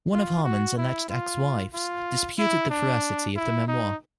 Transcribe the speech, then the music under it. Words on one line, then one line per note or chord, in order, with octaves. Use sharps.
One of Harmon's alleged ex-wives disputed the veracity of the memoir.
F4
F#4
E4
F4
F4
E4
D4
E4
D#4